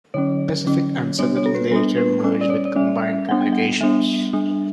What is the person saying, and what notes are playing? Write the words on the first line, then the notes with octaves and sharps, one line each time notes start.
Pacific and Southern later merged with Combined Communications.
D3 F#3 C#4 C#5
D3 F#3 C#4
G3 B3 D4 C#5
C#5
A4
B4
G3 B3 D4 A4
B4
G3 C#4
D5
C#5
D5
G3 C#4 E5
E5
G3 B3 D4 F#5
G5
F#5
G3 B3 D4 E5
G3 D4